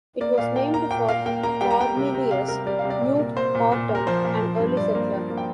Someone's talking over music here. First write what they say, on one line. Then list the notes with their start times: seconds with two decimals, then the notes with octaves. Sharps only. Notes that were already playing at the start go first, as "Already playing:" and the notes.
It was named for Cornelius Knute Orton, an early settler.
0.21 A#3 D5
0.38 A#2 F5
0.56 A#3 G5
0.73 A#3 A#5
0.91 A#2 G5
1.09 A#3 F5
1.26 A#3 G5
1.43 A#3 A#5
1.61 G3 G5
1.71 A#5
1.79 G3 G5
1.97 C3
2.14 C3
2.31 C3 F5
2.48 G3 A#4
2.66 G3 D5
2.79 F5
2.85 C3
2.90 D5
3.01 A#2
3.19 A#3
3.37 A#3 C5
3.55 A#2
3.72 A#2
3.89 A#2
3.95 A#4
4.07 F3 C5
4.24 A#2
4.42 F3
4.60 G2
4.77 G2 D5
4.95 A#3
5.13 F3
5.30 A#3
5.38 G5